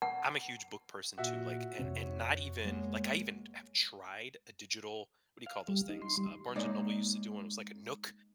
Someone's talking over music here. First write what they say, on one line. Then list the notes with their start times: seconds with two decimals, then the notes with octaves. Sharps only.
I'm a huge book person, too, like and and not even like, I even t have tried a digital what do you call those things? Uh, Barnes& Noble used to do one, it was, like, a Nook.
0.02 F#5
1.18 A#2 F#4 E5
1.79 F2 C3 C4 C#5
2.65 G#3 A#3 B3
5.46 F5
5.68 G3
5.89 D#4
6.02 C6
6.17 G3
6.55 G#3 A#3 D#4 C#5 D5